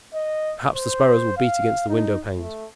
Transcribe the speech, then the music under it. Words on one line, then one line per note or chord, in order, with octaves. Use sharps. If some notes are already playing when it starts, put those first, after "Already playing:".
Perhaps the sparrows will beat against the windowpanes!
D#5
C5
F5
D#4
A3